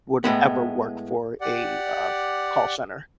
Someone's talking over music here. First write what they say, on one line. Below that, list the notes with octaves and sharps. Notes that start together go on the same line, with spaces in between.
would ever work for a, uh, call center.
A2 G#3 B3
G4 D5 F#5